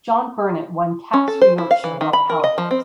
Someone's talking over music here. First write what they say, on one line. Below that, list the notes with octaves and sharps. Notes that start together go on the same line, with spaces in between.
John Burnett won caps for Yorkshire while at Halifax.
C#4
A4
C5
E4
F5
E3
D#3
B5
A#4
D#5
F3
C4